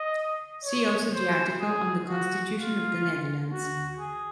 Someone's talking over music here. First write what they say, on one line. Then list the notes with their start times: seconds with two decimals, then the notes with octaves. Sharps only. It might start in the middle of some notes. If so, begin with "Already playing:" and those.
See also the article on the Constitution of the Netherlands.
Already playing: D#5
0.65 C#5
1.12 C5
1.60 G#4
2.08 F#4
2.56 F4
3.52 F#4
3.99 G#4